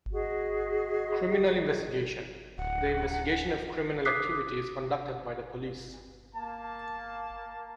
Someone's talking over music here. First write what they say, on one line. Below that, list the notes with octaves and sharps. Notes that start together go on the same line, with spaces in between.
Criminal investigation: the investigation of criminal activity is conducted by the police.
F#4 G#4 D#5
D1 F#5
D6 D#6 F#6 B6 C7
A#3 A5